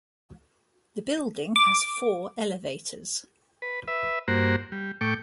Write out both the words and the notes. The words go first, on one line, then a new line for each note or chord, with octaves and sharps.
The building has four elevators.
D6
B4
B4 E5
G2 A#3 F#4 C5 A#5
G3
A2 A3 G5 C#6 D6